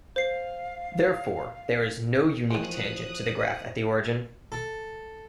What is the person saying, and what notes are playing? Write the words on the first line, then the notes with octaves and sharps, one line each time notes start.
Therefore, there is no unique tangent to the graph at the origin.
C5 F5 C7
E2 D#3 F3 G#3 C#4 C5 D#6 F#6
A4